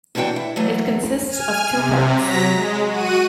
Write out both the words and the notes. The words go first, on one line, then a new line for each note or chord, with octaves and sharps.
It consists of two parts.
D#2 C3 E3 D4 F#4 G5
E4
E3 F#3 A3
G#5 F6
C3
F#3 A#5 A#6 B6
G#3
F#4 D#7